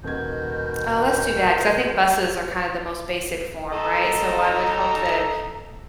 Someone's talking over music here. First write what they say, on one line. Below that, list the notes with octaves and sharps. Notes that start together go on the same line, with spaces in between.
Oh, that's too bad 'cause I think buses are kind of the most basic form, right? So I would hope that
D#1 B2 D#3 G6 G#6
A4 D#5 A#5